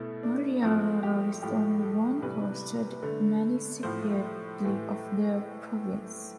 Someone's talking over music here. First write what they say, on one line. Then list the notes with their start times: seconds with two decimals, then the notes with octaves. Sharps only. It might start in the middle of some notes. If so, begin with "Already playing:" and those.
Maria Aurora is the only non-coastal municipality of the province.
Already playing: B2 A3 E4
0.23 D4
0.62 A2 F3 A3 C4
1.03 G4
1.42 A2 F3 A3 G4
1.83 A4
2.22 C3 E3 G3 B4
3.02 D3 A3
3.83 A2 F3 A3 C5
4.63 A2 E3 A3